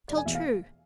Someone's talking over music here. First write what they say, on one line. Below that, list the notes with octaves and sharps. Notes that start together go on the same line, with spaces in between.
Tell true.'
F1 D5
G#5
E2 B2 E5
F5